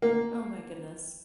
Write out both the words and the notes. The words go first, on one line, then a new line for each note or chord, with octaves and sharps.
Oh my goodness.
A#3